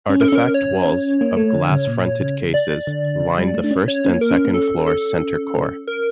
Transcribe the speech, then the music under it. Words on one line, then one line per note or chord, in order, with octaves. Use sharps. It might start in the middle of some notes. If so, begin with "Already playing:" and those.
Artifact walls, of glass-fronted cases, line the first and second floor center core.
C#4
A#4
A4
C#4 A#4
C#5
A#3
A3
D3
C#3
A#2
C#3
D5
D3
C#3
G3
A3
D4
C#4
C#4 C#5
C#4
A#3
A#4
C#4
A#3
C#4 A4
A4
A#4